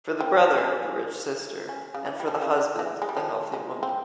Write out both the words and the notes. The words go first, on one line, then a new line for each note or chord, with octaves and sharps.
For the brother, the rich sister, and for the husband, the healthy woman.
C4
C#4
C#4
C#3
E3
G3
F3
E3
C#3
E3
G#3
G3
F3
G#3
C4